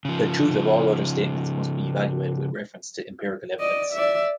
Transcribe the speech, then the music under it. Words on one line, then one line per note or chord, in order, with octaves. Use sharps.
The truth of all other statements must be evaluated with reference to empirical evidence.
C#3 F3
D5 D#5
D5 E5